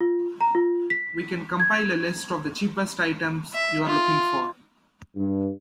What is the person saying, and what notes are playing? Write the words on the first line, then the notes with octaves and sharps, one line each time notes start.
We can compile a list of the cheapest items you are looking for.
F4
A#5
F4
B6
G#6
E5
F4
G2